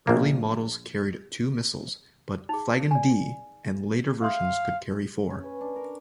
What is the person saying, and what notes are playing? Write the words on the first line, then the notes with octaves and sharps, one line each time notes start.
Early models carried two missiles, but 'Flagon-D' and later versions could carry four.
A#1 A#3
D#4 G#4
D5 G#5
E5 F5 C6 D#6
C#4
B4
D4
A#4